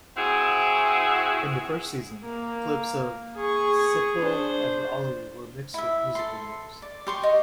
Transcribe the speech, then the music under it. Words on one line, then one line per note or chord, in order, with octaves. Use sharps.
In the first season, clips of Sifl and Olly were mixed with music videos.
C4 E4 F#4 G#4
A#3
G#4 C#6
D4 C5
E4 E5
A4 C6
D5
G4 C6 C#6
D#5